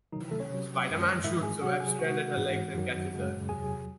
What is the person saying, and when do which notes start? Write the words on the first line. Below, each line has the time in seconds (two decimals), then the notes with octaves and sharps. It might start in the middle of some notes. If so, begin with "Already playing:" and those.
Spider-Man shoots a web strand at her legs and catches her.
0.12 C3 D#3 F#3 D#4
0.21 E3 E4
0.31 A3 A4
0.40 C#4 C#5
0.50 C3 F#3
0.88 F#2 D#3 G#3
1.24 G#2 D#3 G#3 E4 E5
1.43 G#4 G#5
1.61 C3 F#3 F#4 F#5
1.80 G#4 G#5
1.99 C3 D#3 G#3 F#4 F#5
2.37 G#2 E3 G#3
2.74 F#2 D#3 F#3
3.11 F#2 C#3 G#3
3.49 E2 C3 F#3 G#4 G#5